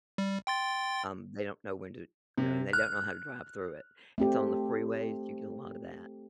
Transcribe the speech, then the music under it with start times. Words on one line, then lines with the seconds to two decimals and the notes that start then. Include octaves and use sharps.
Um, they don't know when to you know, and they don't know how to drive through it, and so on the freeways, you get a lot of that,
0.18 G3
0.47 G5 C6 A6
2.38 C3
2.73 F6 F#6
4.18 A3 C4 G4